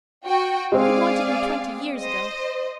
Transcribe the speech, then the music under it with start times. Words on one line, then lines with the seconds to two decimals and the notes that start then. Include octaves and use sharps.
He wanted me twenty years ago.
0.26 F#4 G5
0.72 G#3 C4 G#4 D5 F5
1.98 C5 D#5